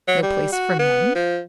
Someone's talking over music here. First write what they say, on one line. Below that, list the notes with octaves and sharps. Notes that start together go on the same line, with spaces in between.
No place for men?
F#3
G3
F#4
B3
F3